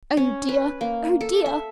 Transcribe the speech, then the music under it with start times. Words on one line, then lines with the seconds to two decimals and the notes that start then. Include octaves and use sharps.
Oh dear, oh dear!
0.17 C#4
0.49 B4
0.81 A#3
1.21 A4
1.46 E5